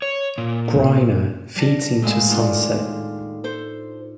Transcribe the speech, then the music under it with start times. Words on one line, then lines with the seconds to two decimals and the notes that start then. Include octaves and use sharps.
Greiner, feeds into Sunset.
0.02 C#5
0.38 A#2
1.56 G3 A5 A#6
2.02 D#2 A2 G#3 A3 D#5 E6
2.30 D4 D#4 F4
3.44 A4 C5